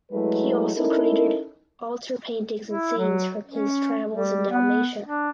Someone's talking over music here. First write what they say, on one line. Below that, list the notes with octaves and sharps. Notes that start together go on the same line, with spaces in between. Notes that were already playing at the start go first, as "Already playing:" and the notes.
He also created altar paintings and scenes from his travels in Dalmatia.
F#3 G#3 A3 E4 G#4 B4
C#4 D#4 E4 A4 A#4
E4
F#3
C#4
G3
B3
D4